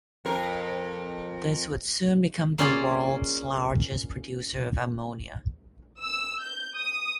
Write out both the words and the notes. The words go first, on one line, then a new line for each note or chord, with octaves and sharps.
This would soon become the world's largest producer of ammonia.
F2 A#4
A#3 C#4 F4 G#4 D5
E6
G6
D#6